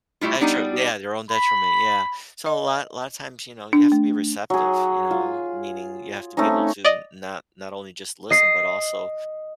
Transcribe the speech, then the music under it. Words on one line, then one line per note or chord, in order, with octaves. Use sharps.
detri yeah, their own detriment, yeah. So a lot lotta times, you know, you have to be receptive, you know? Meaning, you have to be able to not not only just listen; but also
G3 A3 E4 F4
G3 B3 D4 D#4 D5
B5
D#5
D4
A3
F#3 G#4
F4
A3 C4 C#4 D#4
D5 D#5
D#5 C7